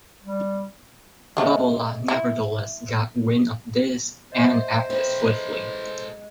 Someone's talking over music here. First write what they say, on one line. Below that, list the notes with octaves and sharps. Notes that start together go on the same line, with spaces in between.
Babullah nevertheless got wind of this and acted swiftly.
G3
G#3 A3 C#4
E4
C5 D#5 E5 F#5
C4 A4 B4
G#3